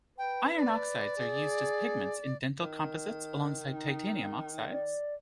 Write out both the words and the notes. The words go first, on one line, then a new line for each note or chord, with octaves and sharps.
Iron oxides are used as pigments in dental composites alongside titanium oxides.
B4 G5
D5
G#4
D#3
D#4
D5